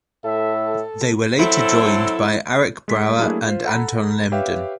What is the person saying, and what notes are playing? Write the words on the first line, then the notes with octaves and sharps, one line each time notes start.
They were later joined by Arik Brauer and Anton Lehmden.
A2 A4 E5
F#3 C4 E4 A4
G#3 A4 B6
F#3 A3 A#3 D4 E4 G#4
F4 C5
A4 F#5 A#5 B5
G4 B4 C#5 E5 F5 G5